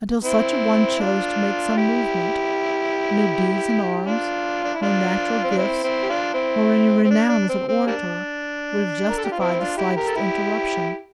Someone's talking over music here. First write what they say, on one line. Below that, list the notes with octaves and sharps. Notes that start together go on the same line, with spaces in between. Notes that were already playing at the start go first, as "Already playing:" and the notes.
Until such a one chose to make some movement, no deeds in arms, no natural gifts, nor any renown as an orator, would have justified the slightest interruption.
C4 E4
D4 F4
E4 G4
D4 F4
D4
E4
D4 F4
C4
D4
C4 E4
C4 E4
G4
D4 F4
C4 E4
C4
D4
D4
C4
C4
G3 A#3 D4
A#4
A4
G4
F4
C4 E4
D4 F4
E4 G4
G4 A#4
A4
E4 G4